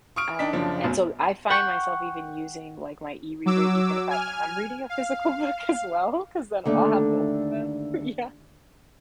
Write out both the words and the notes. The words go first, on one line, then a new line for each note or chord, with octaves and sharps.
um, and so I find myself even using, like, my e-reader, even if I am reading a physical book, as well, 'cause then I'll have both of them. Yeah,
C#6 D#6 F6 D7
D4 D#4 B6
F#2 C#3 F3 D4
F1 B2
F#5 G5 C#6
F#3 D6 E6
G#5 F6
F5
D#2 D3 A3 D4